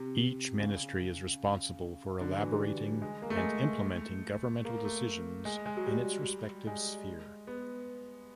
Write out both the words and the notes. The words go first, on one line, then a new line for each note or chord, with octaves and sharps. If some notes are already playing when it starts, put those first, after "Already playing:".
Each ministry is responsible for elaborating and implementing governmental decisions in its respective sphere.
Already playing: C3
C#3
D3
E3
F#3
G3
G#3
A#3
A3
G#3
A3
A#3
A3
G#3
G#3
F#3
G3
G#3
B3